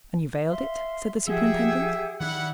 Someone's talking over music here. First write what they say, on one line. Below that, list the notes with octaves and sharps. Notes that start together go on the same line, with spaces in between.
"And you veiled it?" said the superintendent.
E5 F5 C6
F3 G4 G#4 E5 F#5
D#3 G3 D4 E4 F#5